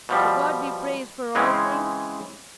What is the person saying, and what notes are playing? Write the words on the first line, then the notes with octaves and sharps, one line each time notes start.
But God be praised for all things!
B2 F3 G3
C#3 E3 G#3 C4 C#4